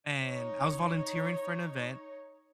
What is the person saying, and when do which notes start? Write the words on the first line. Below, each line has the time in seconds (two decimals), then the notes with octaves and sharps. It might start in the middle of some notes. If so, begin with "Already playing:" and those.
and I was volunteering for an event,
0.19 D#4 C#5